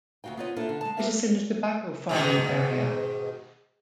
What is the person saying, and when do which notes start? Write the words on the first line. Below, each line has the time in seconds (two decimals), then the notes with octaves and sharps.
It is in a tobacco farming area.
0.24 D2 C#3 F#4 F5 G5
0.37 B3 C4 F4 C#5 D#5
0.56 A#3 C4 D4 E4 F4 A4
0.68 D3 A4
0.81 G#3 A5
0.97 B3 C4 G4 A#4 E5 F5
2.09 G#2 B2 D#3